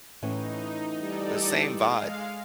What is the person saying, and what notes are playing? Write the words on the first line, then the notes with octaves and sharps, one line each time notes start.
the same vibe."
A2 E3 C#4 D#4
G3 D#4 A4 D5
G#3 F5